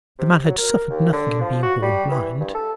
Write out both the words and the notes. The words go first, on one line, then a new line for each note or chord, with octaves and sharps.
The man had suffered nothing in being born blind.
C3
F#3
A#4
D#2
D3
F3
F#4
G3
E3
G2
A4